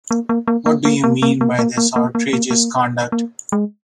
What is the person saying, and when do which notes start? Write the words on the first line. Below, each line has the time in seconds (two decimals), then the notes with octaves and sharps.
What do you mean by this outrageous conduct.
0.11 A#3
0.29 A#3
0.48 A#3
0.66 A#3
0.85 A#3
1.04 A#3
1.22 A#3
1.41 A#3
1.59 A#3
1.77 A#3
1.96 A#3
2.15 A#3
2.33 A#3
2.51 A#3
3.12 A#3
3.52 G#3